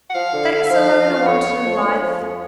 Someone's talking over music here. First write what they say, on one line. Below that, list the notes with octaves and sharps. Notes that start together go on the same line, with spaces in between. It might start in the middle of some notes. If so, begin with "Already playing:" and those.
Facts alone are wanted in life.
F#5
F3 F5
D3
D3
E5
F3 F5
F3
F3
F2 C#5
F2
F3
D3
F3
F2